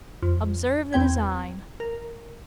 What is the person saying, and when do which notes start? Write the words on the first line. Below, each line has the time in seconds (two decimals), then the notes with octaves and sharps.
Observe the design!
0.23 F2
0.93 E2 C4 G5 G#6
1.80 A#4